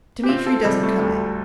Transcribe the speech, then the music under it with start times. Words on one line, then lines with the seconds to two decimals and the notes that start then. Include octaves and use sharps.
Dmitri doesn't come in.
0.23 G4
0.29 C3 C4 F4
0.47 F4 A4
0.65 C3 G3
0.83 A3
1.01 D2